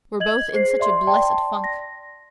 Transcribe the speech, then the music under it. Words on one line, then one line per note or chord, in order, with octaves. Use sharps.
We're both in such a blessed funk.
D#5 G#6 F#7
G#4 C5 C7
D5 E5 C6
D5 G5 A5 C6
A#6